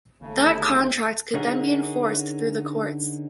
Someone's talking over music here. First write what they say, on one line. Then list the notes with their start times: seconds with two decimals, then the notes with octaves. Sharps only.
That contract could then be enforced through the courts.
0.21 G1 D#2 C#3 A3
1.34 D3 C#4 D#4 F#4 G#4 A#4